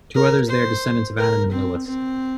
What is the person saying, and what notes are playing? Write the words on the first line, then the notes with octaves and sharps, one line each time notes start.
To others they are descendants of Adam and Lilith.
A#4
C5
A#4
C4
C4